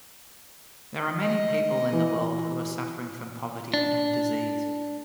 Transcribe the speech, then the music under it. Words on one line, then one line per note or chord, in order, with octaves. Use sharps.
There are many people in the world who are suffering from poverty and disease.
D#5
E3
D4